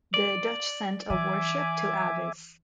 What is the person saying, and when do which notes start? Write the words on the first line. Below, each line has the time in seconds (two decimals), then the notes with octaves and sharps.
The Dutch sent a warship to Aves.
0.14 D5
1.10 E3 E5 G#5 D6